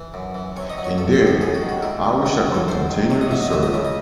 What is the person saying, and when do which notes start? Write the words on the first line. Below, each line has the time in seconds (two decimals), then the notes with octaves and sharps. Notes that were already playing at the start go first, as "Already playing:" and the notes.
Indeed, I wish I could continue to serve.
Already playing: E3
0.14 F#2
0.34 E3
0.56 C3 C#5
0.70 D#5
0.78 F#3
0.84 C#5
0.98 A1 A4
1.13 C5
1.20 A2
1.27 A4
1.41 F#2 G#4
1.54 F#4
1.62 D#3
1.69 F#4
1.83 G#2 E4
2.04 D#3
2.25 C3 F#4
2.46 F#3
2.54 A4
2.68 F#2 C5
2.89 D#3
3.10 C3 C#5
3.21 D#5
3.31 F#3 E5
3.42 D#5
3.52 C#2 E5
3.63 D#5
3.73 C#3 E5
3.85 D#5